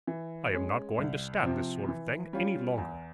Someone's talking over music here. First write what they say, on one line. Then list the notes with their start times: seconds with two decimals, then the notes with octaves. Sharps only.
'I am not going to stand this sort of thing any longer.
0.07 E3
0.53 G#3 C#4
0.98 C2
1.43 C3 F3 C4
1.88 E3
2.33 G3 C#4 F4
2.78 E2